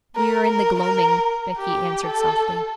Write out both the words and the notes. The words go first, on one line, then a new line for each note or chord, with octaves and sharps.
'We are in the gloaming,' Becky answered softly.
A#4
A#4
A#4
G4
A4